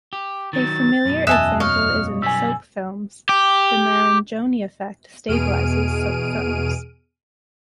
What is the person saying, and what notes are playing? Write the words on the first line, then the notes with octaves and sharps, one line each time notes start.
A familiar example is in soap films: the Marangoni effect "stabilizes" soap films.
G4
D#3 F#3 A6
F#2 B2
E2 D#5 E5 G#5 A5 D#6 F#6
C#5 D#5 F5 F6
B1 F#2 G3 G#5 E6 B6
G4
E2 B2 G#4 F6 D7 D#7